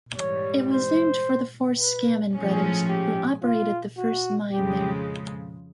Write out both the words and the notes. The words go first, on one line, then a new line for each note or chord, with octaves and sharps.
It was named for the four Scammon brothers, who operated the first mine there.
G#2 E3 G3 C#5
C5
B4
A2 F3 G#3 C#4
G4
F4
F#4
F2 C#3 F3 G#3 G4